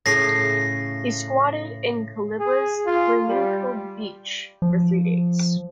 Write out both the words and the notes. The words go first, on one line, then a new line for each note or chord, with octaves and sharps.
He squatted in Culebra's Flamenco Beach for three days.
A2 C#3 A#6 C7
G#4
F4
G3
F3